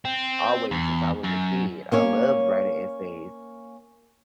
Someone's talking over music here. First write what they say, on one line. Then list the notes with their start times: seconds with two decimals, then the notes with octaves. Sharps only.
Always, since I was a kid. I loved writing essays.
0.05 C4
0.71 E2
1.23 F#2
1.92 A#3 C#4 C#5